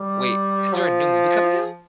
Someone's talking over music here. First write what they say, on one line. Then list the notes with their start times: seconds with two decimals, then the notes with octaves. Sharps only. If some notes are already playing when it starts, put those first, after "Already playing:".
Wait. Is there a new movie coming out?
Already playing: G3
0.73 F3